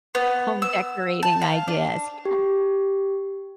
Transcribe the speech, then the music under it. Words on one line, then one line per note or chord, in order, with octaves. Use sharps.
home decorating ideas Yeah,
B3
E6
A5
F5
D4
G4